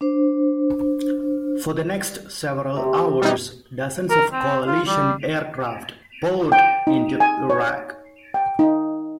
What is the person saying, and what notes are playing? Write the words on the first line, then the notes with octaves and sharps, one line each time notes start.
For the next several hours dozens of Coalition aircraft poured into Iraq.
D4 C5
C3
F#2 G3 D#4 B4 D#5
A#4
C4
F4
G3
G5
D#4
G#5
C#5
G5
D#4